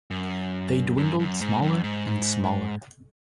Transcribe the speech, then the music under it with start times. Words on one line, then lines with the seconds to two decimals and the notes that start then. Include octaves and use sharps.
They dwindled smaller and smaller.
0.11 F#2
0.97 F#2
1.19 F#2
1.41 G#2
1.62 F#2
1.84 G#2